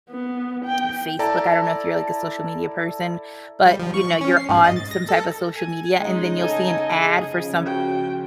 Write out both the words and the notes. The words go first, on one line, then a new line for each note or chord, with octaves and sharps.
Facebook? I don't know if you're, like, a social media person, but, you know, you're on some type of social media, and then you'll see an ad for some
B3
G5
E4 A4 D5 A5 A#5
G3
F3
C#6
C#4
C7
G#2
D#5
A6
A#6
A4
G#5
C#3 G#3 D#4
A4 G#5
G#4
C#3 F3
F#4 G5